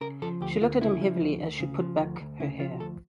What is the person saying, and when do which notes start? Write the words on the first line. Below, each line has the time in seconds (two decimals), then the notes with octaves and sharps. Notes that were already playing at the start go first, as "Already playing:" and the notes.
She looked at him heavily as she put back her hair.
0.01 C#3 A#4
0.22 F3 A4
0.41 D2 G4
0.61 D2 F4
0.81 C#3 E4
1.01 F3
1.20 D2
1.40 D2
1.60 C#3
1.80 F3
2.00 D2
2.21 D2
2.40 C#3 E4
2.60 F3 F4
2.80 D2 A4